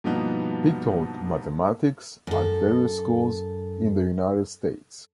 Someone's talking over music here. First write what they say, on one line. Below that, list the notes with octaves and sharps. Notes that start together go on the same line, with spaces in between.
He taught mathematics at various schools in the United States.
G2 B2 F3 A#3 B3 D#4
F#2 A4